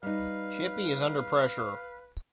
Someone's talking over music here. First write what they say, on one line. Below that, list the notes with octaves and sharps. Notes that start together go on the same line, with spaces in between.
Chippy is under pressure.
G3 D#4 B4 F5